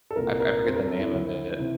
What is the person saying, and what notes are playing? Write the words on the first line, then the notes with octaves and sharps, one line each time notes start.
I I forget the name of it.
A4
C2 A#2 A#4
A#4
F2 D3 C5
A#4
A4
E4
D2 D3
C3 E3